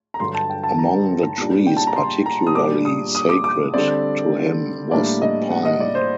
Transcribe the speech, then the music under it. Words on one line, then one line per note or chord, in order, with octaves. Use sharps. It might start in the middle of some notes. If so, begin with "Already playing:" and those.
Among the trees particularly sacred to him was the pine.
A#5
G2 D3 F#3 C6
A5
G5
A5
A#5
A#2 G3 D4
G5
A5
A#5
C6
A#5
D#6
A#2 G3 D4 D6
D#6
D#6
D6
D6
D3 G3 C4 D5
A2 G3 A#3 D4 D5
D#5
F#5
D#5
D5
C5